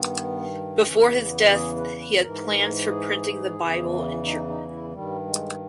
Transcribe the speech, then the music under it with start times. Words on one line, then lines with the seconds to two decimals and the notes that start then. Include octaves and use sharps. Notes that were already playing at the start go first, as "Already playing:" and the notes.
Before his death he had plans for printing the Bible in German.
Already playing: G2 D#3 B3
0.85 E2 C#3 E3 C#4
1.19 B3
1.54 G#4
1.76 B4
2.00 B4
2.22 G#2 E3 A#4
2.89 G#4
3.58 E2 C#3 E3
4.25 D#4
4.48 D#4
4.71 E4
4.93 G2 D#3 G3
5.28 G#3